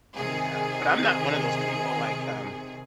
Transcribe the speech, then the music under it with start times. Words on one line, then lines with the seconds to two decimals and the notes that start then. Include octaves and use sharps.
Yeah, but I'm not one of those people like, um,
0.15 C3 D#3 G#4